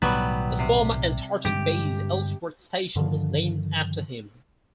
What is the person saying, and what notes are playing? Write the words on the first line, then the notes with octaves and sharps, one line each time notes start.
The former Antarctic base Ellsworth Station was named after him.
B1 A2 D#3 F#3 G3 B3
C3
G2 D3 G#3 G4
G2 D3 D#3 F3